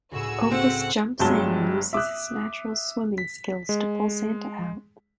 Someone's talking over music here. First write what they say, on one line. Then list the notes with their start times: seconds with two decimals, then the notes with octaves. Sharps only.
Opus jumps in and uses his natural swimming skills to pull Santa out.
0.12 C#2 A2 F#4 G#4 E6
0.51 C4 F#5
1.19 G1 G2 F#3 G#3 A5 G7
1.93 E5 D6 D#6 F#6
3.18 B6
3.69 G#3